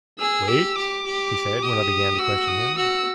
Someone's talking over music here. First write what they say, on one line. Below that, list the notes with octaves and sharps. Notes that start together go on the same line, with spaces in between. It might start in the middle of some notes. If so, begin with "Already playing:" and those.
"Wait," he said when I began to question him.
G#4 E6
G4 E6
G4 D6
G4
G4 D#6
F#4 E6
D#6
F#4 E6